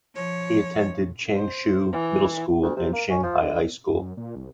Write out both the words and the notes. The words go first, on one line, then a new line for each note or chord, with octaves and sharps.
He attended Changshu Middle School and Shanghai High School.
F3 C#5
C5
E3
D2
C3
A#3
C#4
F3
D3
F#2
A#2
C2